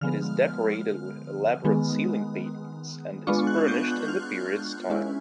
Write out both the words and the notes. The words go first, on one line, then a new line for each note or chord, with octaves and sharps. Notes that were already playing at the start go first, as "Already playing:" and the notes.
It is decorated with elaborate ceiling paintings and is furnished in the period style.
D3 F3 G#3 B3 F6
D#3 G#3 B3
G#3 B3 D4 F4 C#6
F#6
G6
F#6
F6
G#3 C#4 E4